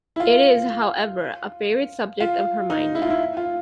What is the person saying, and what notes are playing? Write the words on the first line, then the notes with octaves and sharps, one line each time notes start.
It is, however, a favourite subject of Hermione.
E4
F4
F4
D#4
E4
F4
E4
F4